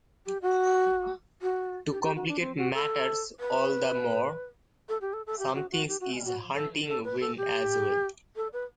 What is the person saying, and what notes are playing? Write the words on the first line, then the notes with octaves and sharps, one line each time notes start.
To complicate matters all the more, something is hunting Wynn as well.
G4
F#4
F#4
G4
G4
F#4
D4
C4
F#4
A4
B4
A4
G4
A4
A4
G4
F#4
F#4
G4
F#4
F#4
A4
A4
B4
A4
G4
A4
B4